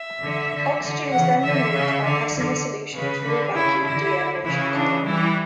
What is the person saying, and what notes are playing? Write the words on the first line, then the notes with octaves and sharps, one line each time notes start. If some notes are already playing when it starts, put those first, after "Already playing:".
Oxygen is then removed by passing the solution through a vacuum de-aeration column.
Already playing: E5
D3
D3
D3
C#3 E3 F#5
D3 E5
C#3
D3
D3
C#3 B4
D3
C#3 E4
D3 E4
C#3 E3 E4
D4
E3 G3 E4